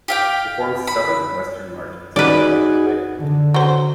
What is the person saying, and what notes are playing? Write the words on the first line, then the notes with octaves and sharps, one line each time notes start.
It forms the southern and western margins of Whitewater Bay.
G4 F5 G5
B5
D#4 F#4 G#4 B4 D5
D3
F#3 C5